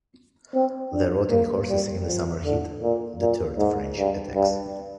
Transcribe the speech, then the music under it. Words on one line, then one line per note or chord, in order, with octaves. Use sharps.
The rotting horses in the summer heat deterred French attacks.
C4
D4
A#3
G3
F3
D3
A#2
A#2
G#2
G2
G2